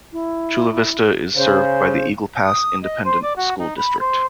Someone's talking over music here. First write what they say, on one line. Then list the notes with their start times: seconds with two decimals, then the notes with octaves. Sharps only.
Chula Vista is served by the Eagle Pass Independent School District.
0.12 E4
1.36 C#3 C5
2.45 D#6
2.82 D#5
3.04 C5
3.22 D5
3.36 F#4
3.59 D#4
3.77 B5
4.00 C5